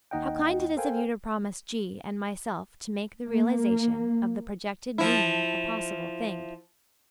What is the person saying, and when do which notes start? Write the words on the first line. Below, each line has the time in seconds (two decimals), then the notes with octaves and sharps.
How kind it is of you to promise G. and myself to make the realization of the projected union a possible thing!
0.11 D#2 D#4 D#5 F#5 G5
0.77 A4 A#4 C5 F5 G5 G#5
3.28 A#3
4.98 F3 E4